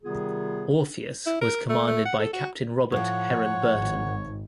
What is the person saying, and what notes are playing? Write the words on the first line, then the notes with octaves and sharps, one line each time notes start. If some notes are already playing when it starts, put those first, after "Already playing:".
"Orpheus" was commanded by Captain Robert Heron Burton.
C3 D#3 G3 B3 F4 G#4
E4
A#4
A3
A3
F#5
A4
F#4
A2 F3 C#5 F#5
G#1